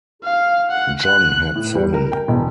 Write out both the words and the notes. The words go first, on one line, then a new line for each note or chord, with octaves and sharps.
John had seven.
F5
F#5
F#6
A2
G3
A#4
G5
E1